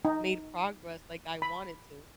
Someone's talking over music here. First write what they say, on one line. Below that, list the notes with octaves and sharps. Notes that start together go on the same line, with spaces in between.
made progress like I wanted to."
D#4
B5